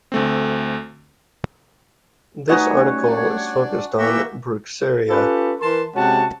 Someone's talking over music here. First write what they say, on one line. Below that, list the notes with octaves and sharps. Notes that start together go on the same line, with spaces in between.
This article is focused on bruixeria.
D2 A3 C4
G3 A3 D#4 F#4 B4 C#5 D#5 G#5
C#4
D4
E3 A#3 F#4 G4 E5
C#4 F4 G4 A4 B4
E3 A#4 A5 C6
C3 G#3 C#4 F#4 F#5 A5